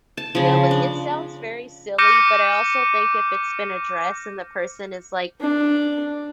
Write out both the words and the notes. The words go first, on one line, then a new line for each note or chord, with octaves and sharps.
silly. It sounds very silly, but, I also think if it's been addressed and the person is like
A5
C#3 F3
D4
D6 F6 G6 A#6 C#7 D#7
D4